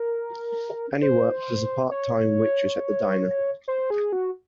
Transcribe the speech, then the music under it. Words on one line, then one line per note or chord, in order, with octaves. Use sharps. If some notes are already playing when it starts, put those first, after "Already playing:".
Annie works as a part-time Waitress at the diner.
Already playing: A#4
C5
C#5
C5
G#4
F#4